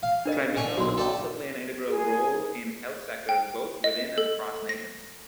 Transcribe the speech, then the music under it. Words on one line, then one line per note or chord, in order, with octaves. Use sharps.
Tribunals also play an integral role in health sectors both within and across nations.
F5
D4 A#4 D#5
D3 G#5 C#6
B1 F#4 C6
A4 D5 G5
G#4
G5
D#5
A4
A#6